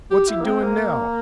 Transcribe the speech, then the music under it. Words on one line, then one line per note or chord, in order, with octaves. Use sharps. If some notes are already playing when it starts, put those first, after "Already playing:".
"What's he doin' now?"
G4
E4
A#3
C4
A#3